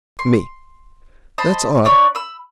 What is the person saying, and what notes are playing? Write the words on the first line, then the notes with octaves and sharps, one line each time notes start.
ME: That's odd.
C6
C5 D#5 A5 B5
D4 C#5 D5 B5
B5 E6